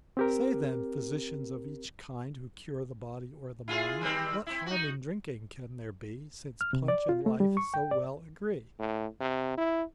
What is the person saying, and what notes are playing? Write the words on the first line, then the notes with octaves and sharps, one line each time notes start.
'Say, then, physicians of each kind, Who cure the body or the mind, What harm in drinking can there be, Since punch and life so well agree?'
C4 G4 A#4
E4 F4 G#4
D#3 G3 C4
C4 E4
D#4 F#4
F6
C3
D5
F4
A3
G3
C#6
G5
D5
A2
C3
E4